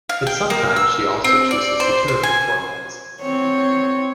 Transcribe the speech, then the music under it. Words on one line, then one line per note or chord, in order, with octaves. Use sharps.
But sometimes she also chooses satirical formats.
F5
G5
A#3
E6
C4
D5
C5
C5
G#5
C4 C#5